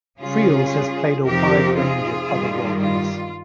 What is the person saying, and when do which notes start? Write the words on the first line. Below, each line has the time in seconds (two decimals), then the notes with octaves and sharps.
Friels has played a wide range of other roles.
0.19 C#3 G3 C#4 F4 G#4
1.24 F2 C3 F3 C4 D#4 G4 A#4
1.77 F4 G#4
2.29 G2 D#3 G3
2.81 F4